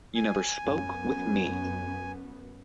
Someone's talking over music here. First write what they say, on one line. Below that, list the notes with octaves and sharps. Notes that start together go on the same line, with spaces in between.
You never spoke with me.
G#5
F#2 B3